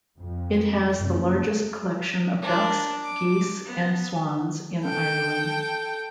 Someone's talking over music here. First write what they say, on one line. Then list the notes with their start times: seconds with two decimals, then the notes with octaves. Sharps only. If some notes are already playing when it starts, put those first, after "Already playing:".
It has the largest collection of ducks, geese and swans in Ireland.
0.19 F2
0.98 F#1
2.42 D4 A#4
3.02 D6
3.65 B3
4.82 A4 G5